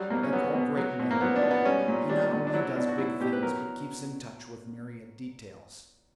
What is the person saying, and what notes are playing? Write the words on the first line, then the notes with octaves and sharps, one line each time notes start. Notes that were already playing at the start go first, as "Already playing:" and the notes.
Like all great men, he not only does big things, but keeps in touch with myriad details.
Already playing: F#3 G3
B2 A#3
C#4
F#3 B3
B2
F#3
B2
A#3
F#3 B3
D4
B2
B3
G3 C#4
A#2
G3 D4
A#2
D4
F#3 E4
B2 D4
F#4
F#3 E4
B2 G4
B4
F#3 A#4